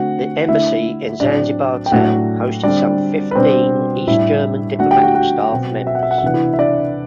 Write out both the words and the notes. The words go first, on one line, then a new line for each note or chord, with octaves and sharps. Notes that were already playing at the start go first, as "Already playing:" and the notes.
The embassy in Zanzibar Town hosted some fifteen East German diplomatic staff members.
Already playing: D3 A3 C4 F#4 F#5
D3 A3 D4 E4 E5
A2 F#3 C4 D4 D5
G5
A2 F#3 A3 D4 F#4 F#5
D3 G3 C4 D4 D5
B4
B2 G3 C4 D4 C5
A2 G3 D4 E4 E5
D3 A3 D4 F#4 F#5
G4 G5
F#4 F#5
F#4 F#5
B2 F#3 C4
E5
F#5
E5
F#5
E5
C3 E3 B3 D4 F#5
E4 E5
E5
D4 D5